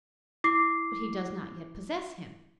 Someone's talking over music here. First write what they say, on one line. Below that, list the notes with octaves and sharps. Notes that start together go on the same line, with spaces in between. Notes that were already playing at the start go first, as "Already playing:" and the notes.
But he does not yet possess Him.
E4 D6 C7